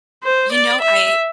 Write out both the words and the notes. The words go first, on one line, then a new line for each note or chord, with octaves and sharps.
You know, I
C5
D5
E5